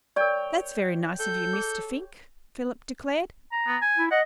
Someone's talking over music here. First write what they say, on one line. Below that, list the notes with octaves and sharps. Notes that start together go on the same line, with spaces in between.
"That's very nice of you, Mr. Fink," Philip declared.
A#4 C#5 D5 G5
A4 G6
G#4
A#5
B3
G#5
E4
D#5 F#5